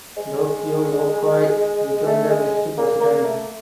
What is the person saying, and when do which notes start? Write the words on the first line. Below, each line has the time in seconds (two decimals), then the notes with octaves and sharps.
Tokio Yokoi became the next president.
0.16 G#3
2.06 A3
2.29 G#3
2.77 A#3
3.01 A#3
3.25 A3